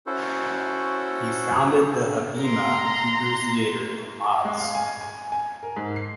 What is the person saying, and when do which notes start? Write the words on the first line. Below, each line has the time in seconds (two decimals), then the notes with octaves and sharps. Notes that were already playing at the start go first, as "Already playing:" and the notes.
He founded the Habima Hebrew Theater in Lodz.
0.07 C#4 E4 F#4 A4 C5
2.40 A#5 C6
4.45 G#3
4.60 F5
4.75 G#5
5.01 G#5
5.32 G#5
5.63 A#4
5.77 G#2
5.96 C7